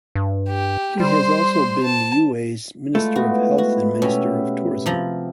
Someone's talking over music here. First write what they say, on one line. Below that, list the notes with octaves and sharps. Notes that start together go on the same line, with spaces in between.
He has also been Niue's Minister of Health and Minister of Tourism.
G2
G4
G3 C5 C6
A5
G#3 A3 E4 F4
B3 F#4
F#4
B2 C#4 G4 E5
C3 F3 A#5